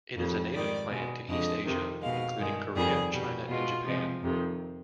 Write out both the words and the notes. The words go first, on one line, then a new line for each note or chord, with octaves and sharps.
It is a native plant to East Asia including Korea, China and Japan.
F2 D#3 G3
G#2 D#3 G3 D5
B2 G#3
F2 D3 G#3 D#5
F2 C3 D#3
B2 G#3 F5
G2 D#3 G#3
F2 D#3 G3 G#4
B2 G3
B2 G#3 F4
C3 F3 G#3
F2 C3 D#3